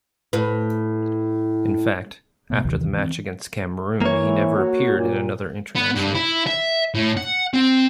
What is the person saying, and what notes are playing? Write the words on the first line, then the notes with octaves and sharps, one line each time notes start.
In fact, after the match against Cameroon, he never appeared in another international.
A2 B4
B2 A3 B3
D#2 C3 D#3 E3
E3 C4
E3 A#3 C#5
F#4
A#2
B3
G2
E4
E5
A2
F#5
C4